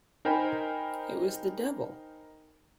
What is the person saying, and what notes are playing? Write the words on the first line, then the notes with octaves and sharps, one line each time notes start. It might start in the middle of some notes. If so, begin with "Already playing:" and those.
It was the devil!
D#4 A#4 C5 G5 G#5 B5